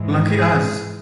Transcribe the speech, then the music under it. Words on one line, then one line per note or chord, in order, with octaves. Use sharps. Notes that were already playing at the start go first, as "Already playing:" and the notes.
Lucky us’.
Already playing: G#2 E3 G#3
G#4